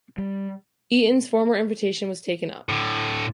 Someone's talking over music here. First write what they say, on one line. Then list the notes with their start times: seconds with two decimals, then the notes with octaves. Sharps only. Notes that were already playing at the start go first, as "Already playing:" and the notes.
Eaton's former invitation was taken up.
0.18 G3
2.69 A2 D3